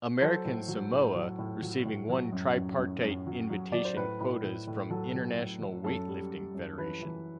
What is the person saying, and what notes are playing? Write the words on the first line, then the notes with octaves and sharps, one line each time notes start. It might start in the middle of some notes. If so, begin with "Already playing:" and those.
American Samoa receiving one tripartite invitation quotas from International Weightlifting Federation.
F#3 A4 C5
A2
F#3
A2
F#3
A2
F#3
A2
F#3
F#2
F#2
F#2
F#2
F#3
F#3
F#3 D5
C5
A2 B4
A2
A2
A2
F#3 A4
F#3
A2
F#3
F#2 A4
G3
G3
F#2
E3 B4
E3